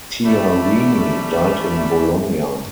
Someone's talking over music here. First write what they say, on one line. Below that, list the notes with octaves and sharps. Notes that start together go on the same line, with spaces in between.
Tiarini died in Bologna.
E3 F#3 G3 A3 D4 E5 B5